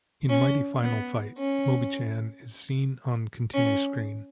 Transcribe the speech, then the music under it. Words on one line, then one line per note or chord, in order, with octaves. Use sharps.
In Mighty Final Fight, Mobichan is seen on continue screen.
C#4
B3
C#4
C#4